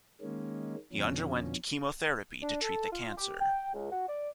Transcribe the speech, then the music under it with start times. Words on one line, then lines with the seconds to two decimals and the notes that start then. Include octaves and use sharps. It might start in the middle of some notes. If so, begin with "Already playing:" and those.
He underwent chemotherapy to treat the cancer.
0.21 D#3 G#3 A#3 C#4
0.92 F2 B2 D3 F3 C#4
2.43 D4
2.62 A4
2.92 F4
3.16 G4
3.41 G5
3.74 C#2
3.91 F#4
4.08 D5